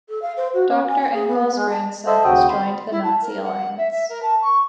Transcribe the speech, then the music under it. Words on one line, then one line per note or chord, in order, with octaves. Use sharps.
Doctor Engel's grandson has joined the Nazi Alliance.
A4
F5
C5
F#4
C#4
G#5
G#5
G#4
B3
G#3
A5
A4 C5 D#5 E5
D#2 C#3 F#4 G5 D#6
C4 B5 C6
E4
A5
A#4
F#5
E5
E5
A#4
A5
C#6